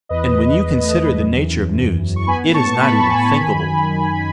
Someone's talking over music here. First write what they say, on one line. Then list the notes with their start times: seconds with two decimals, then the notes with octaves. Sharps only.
And when you consider the nature of news, it is not even thinkable.
0.09 E2 B4 D#5
0.27 E2
0.46 E2
0.65 E2
0.83 A3
1.00 E2
1.18 F#2
1.36 E3
1.55 F#2
1.73 F#2
1.92 F#2
2.10 F#2
2.16 C#6
2.27 B3 G#5 B5
2.46 A2
2.54 A5 C#6
2.64 A2
2.81 A2 B5
2.96 A2 A5
3.08 G#5 B5
3.18 A2
3.36 D#3
3.54 F#2
3.73 D#3
3.91 F#2
4.08 D#3